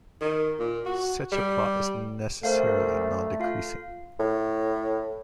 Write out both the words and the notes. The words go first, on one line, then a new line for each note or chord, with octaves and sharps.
Such a plot is necessarily nondecreasing.
D#3
A#2
F#4
G3
A3 A#4 C5 F5
F4 F5
A2